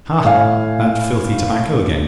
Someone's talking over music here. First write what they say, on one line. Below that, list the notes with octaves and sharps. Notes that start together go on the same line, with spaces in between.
Ha! that filthy tobacco again!
A2 F5 G#5